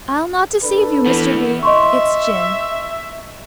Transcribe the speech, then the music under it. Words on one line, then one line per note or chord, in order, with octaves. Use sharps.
I'll not deceive you, Mr. B. It's gin.'
D4 A4 B4
E3 B3
D#5 E5 C6 C#6